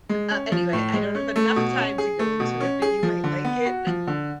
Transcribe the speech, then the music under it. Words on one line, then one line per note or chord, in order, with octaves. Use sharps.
Uh, anyway, I don't have enough time to go into it, but you might like it,
G#3
C#4
F3
A2
G#3
C#4
A3
B2
C#4
G#4
A3
B2
C#4
G#4
F3
D3
B3
F#4
F3
D3